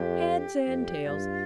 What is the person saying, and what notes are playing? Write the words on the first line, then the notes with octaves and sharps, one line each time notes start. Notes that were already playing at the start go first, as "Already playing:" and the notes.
Heads and tails.
Already playing: F2 G4
F2
G2 F4